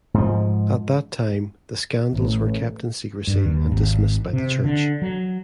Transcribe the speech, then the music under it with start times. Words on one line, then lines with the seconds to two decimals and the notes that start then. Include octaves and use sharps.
At that time the scandals were kept in secrecy and dismissed by the church.
0.14 G#2 F3
2.13 A1
3.27 G2
3.45 D#2
3.72 G#1
4.33 C3
4.64 D3
5.02 F#3